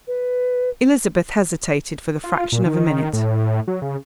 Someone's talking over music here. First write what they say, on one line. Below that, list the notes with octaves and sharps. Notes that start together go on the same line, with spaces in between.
Elizabeth hesitated for the fraction of a minute.
B4
F4
A#2
D#3
A2
F#3
C#3